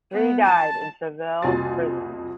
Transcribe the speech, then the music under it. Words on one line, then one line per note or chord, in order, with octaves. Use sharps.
Three died in Seville prisons.
B3
A5
F#1 C2 F2 G#5 C6 A6